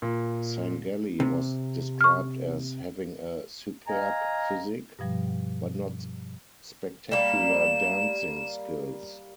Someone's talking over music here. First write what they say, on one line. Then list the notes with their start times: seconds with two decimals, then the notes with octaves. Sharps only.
Sangalli was described as having a "superb physique", but not spectacular dancing skills.
0.02 A#2
1.20 C3
2.01 C#6 F6
3.87 D#5 F5 G#5 A#5
4.99 G2 B2 F3 G3
7.12 G3 A#3 E7